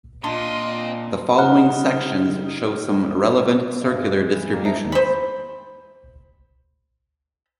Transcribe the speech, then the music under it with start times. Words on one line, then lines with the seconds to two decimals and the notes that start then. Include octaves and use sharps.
The following sections show some relevant circular distributions.
0.24 A#2 C4 D4 F4 D#5 C6
1.38 C#3 G3 D#4 F#5 F6
3.81 G2
3.96 G#3
4.32 E3
4.53 F2 A#3 A#4
4.65 D#4 C5 E5 A5
4.92 C5 B5